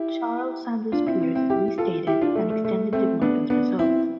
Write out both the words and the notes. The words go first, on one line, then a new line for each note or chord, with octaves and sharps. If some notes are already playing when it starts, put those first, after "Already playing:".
Charles Sanders Peirce restated and extended De Morgan's results.
Already playing: E4 G4
D4 F4
C4 E4
C4 E4
C4 E4
E4 G4
F4 A4
E4 G4
D4 F4
A3
A3
A3
A3 C4
B3 D4
B3 D4
C4 E4